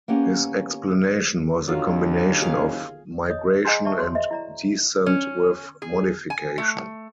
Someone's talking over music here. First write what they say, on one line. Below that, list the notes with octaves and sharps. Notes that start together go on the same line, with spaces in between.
His explanation was a combination of migration and descent with modification.
A#3 B3 C#4 G4
D#2 D3 F#3 F4
F#1 G#4 F5
C#5 D#5 D#6
G#4 D#5 F#5 G#5 A#5 C6
D5 E5 A5 C#6
F#4 G#4 A4 C#5 C6
B4 D#5 E5
E4 D5 A#5
C#4
G#4
G#5
A3